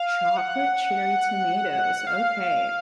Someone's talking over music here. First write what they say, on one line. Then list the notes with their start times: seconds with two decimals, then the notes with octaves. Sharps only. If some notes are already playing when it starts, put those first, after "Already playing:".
Chocolate cherry tomatoes, okay.
Already playing: F5
0.37 F#5
2.07 F5